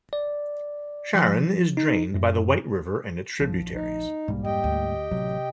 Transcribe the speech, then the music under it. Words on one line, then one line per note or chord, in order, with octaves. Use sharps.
Sharon is drained by the White River and its tributaries.
D5
F3
D#4
F#2
A#1 F3
D2 D#4
B1 G#2 G3 A#3
F2 G4 D#5 G5
D2
A1 C3 F#3